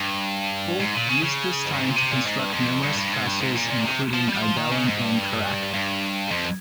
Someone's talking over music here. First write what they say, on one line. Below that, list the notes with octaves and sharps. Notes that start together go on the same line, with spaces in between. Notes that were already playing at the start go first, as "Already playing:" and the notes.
Fulk used this time to construct numerous castles, including Ibelin and Kerak.
Already playing: G2
G#2
A#2
C#3
C#3
F2
G2
G#2
A#2
C3
A#2
G#2
G2
F2
G2
G2
G#2
G2
G#2
A#2
A#2
C3
F3
G3
F3
D#3
C#3
G#2
G2
G2
F2